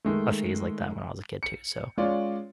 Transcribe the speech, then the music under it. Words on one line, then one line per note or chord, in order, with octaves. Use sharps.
a phase like that when I was a kid too so,
D#3 G#3 A3
C#7
G#3 C#4 F4 D5